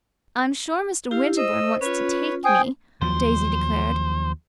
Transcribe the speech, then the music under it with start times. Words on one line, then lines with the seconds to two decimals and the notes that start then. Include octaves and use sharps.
"I'm sure Mr. Winterbourne wants to take me," Daisy declared.
1.11 E4 G4 F5
1.37 C5 D#5 E6
1.81 C#4 F4 B4 C#5
2.45 C5 G5 G#5 D#6
3.02 D#2 F3 F#3 C5